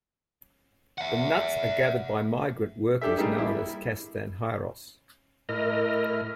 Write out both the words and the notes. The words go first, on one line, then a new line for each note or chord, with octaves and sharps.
The nuts are gathered by migrant workers known as "castanheiros".
E5 F#5
D4 G4 A4 E5
G3 A#3 D#4 G#4
E4
A2 E4 A#4 D#5 F6